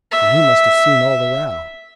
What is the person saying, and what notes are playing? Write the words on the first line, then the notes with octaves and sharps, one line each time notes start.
"Then he must have seen all the row."
E5